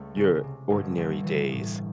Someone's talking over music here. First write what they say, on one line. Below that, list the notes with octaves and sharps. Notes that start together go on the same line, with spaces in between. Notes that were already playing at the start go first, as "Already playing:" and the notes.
your ordinary days
Already playing: C#2 A3
C#3
C3
G1
G1
E3
A2